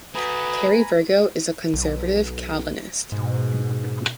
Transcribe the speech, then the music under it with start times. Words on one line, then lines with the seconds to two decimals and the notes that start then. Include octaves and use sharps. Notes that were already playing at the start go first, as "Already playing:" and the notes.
Terry Virgo is a conservative Calvinist.
0.15 A3 F#4 B4 G#5 A#5 B5 D#6
1.74 B1
3.12 G#2 B2